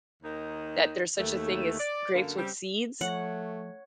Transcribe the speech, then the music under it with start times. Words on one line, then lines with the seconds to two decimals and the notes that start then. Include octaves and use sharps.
that there's such a thing as grapes with seeds
0.23 D#2 D#3 D#4 D#5
1.18 D#2 A3
1.79 D5
2.14 F#2 D3 A#3
2.37 C#3 G3 C4 G4
3.01 F3 A3 C#5 F#5